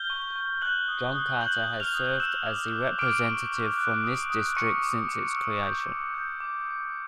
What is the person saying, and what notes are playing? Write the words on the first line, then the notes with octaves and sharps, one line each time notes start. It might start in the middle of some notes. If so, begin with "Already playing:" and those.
John Carter has served as the representative from this district since its creation.
Already playing: F6 G6 G7
C#6
C#6
F#6 G6 F#7
D#6
D#6
F#6 G6 F#7
D#6
F6 F7
D#6
E6 F#6 E7
D6
D6
D6 F6 D7
C#6
C#6
F#6
D#6
D#6
C#6 F#6 C#7
D6
D6
E6
G6
C#6
G6
D6
D6